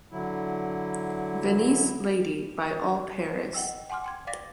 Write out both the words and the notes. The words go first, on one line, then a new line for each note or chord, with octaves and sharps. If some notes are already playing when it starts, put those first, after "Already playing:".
Venise Lady by All-Paris.
D3 F#3 E4
D#5 F#5 G5 E6
F#5 G#5 C6 D6 F6
G5 C6 G#6
D5 F5 D6 A6 A#6